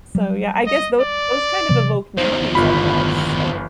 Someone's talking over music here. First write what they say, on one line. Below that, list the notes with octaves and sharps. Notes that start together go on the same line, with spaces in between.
So, yeah, I guess those those kind of evoke memories I guess of
F#3 G3
D#5
D5
C3 E3 F#3
E2 D#3 C5
G1 F4 B5